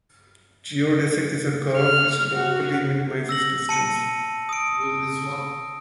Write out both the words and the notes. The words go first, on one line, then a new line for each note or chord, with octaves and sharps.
Geodesic is a curve which locally minimizes distance.
F6
F#4
E6 A#6 F#7
A5 C#7 D#7
D#6 D7